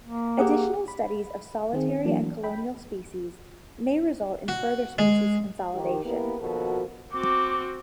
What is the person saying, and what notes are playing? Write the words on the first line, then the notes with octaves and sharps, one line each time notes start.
Additional studies of solitary and colonial species may result in further species consolidation.
A#3
G4 G#4 F#5
B5
D#3 C4 G#4
E3 F#3 A#3 D4
G5 B5
F#4
G#3
D#3 G4
A#3 B3 E4 G4 A#4 B4
D#2 B2 F3 F#4 A4 A#4
C4 F#4 D6